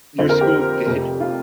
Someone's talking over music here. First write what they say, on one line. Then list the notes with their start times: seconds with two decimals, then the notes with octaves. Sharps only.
your school did
0.18 F2 D3 F3 C5
0.29 A#4
0.41 G4
0.86 F1 F2 C3
1.20 F4